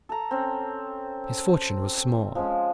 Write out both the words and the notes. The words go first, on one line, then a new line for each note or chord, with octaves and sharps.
His fortune was small.
A4 A#5
C4 C#4
F3 G#3 C#4